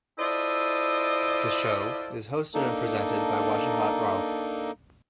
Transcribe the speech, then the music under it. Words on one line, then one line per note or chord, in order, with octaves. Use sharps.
The show is hosted and presented by Wajahat Rauf.
E4 F4 A4 C5 D5 D#5
A#3 D4 D#4 A4